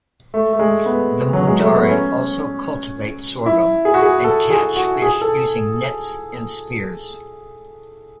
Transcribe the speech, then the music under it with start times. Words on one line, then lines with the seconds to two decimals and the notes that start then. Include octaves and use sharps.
The Mundari also cultivate sorghum and catch fish using nets and spears.
0.34 A3
0.53 A3
0.59 G#3
0.86 B3
1.33 F#3
1.47 G#3
1.61 A3
1.75 B3
1.89 C#4
3.46 E4
3.85 G#4
3.94 F#4
4.02 G#4
4.24 A4
4.50 G#4
4.76 F#4
5.02 G#4
5.21 A4